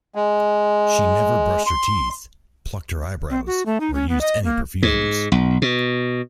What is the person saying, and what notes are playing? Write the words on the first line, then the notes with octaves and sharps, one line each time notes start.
She never brushed her teeth, plucked her eyebrows, or used any perfumes.
G#3
C6
C4
F#4
A3
D#4
C#4
B3
D#5
A#3
G#2
B1
B2